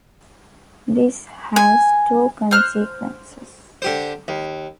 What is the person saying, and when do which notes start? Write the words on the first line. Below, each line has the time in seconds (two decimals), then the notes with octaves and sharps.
This has two consequences.
1.56 G#5
2.51 C5 F6 F#6
3.82 D3 G4 C5
4.28 D#2